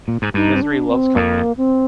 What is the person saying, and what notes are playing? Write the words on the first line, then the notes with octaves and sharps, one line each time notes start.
Misery loves company.
A#2
G#2
G2 D#4
C4
D4
C4
F2 A#3
C4